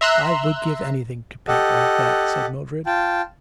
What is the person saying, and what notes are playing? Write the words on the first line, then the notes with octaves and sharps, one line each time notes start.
'I would give anything to paint like that,' said Mildred.
E5 A#5 C6 E6 F#6
G4 A4 D#5 F#5
F4 G5 A5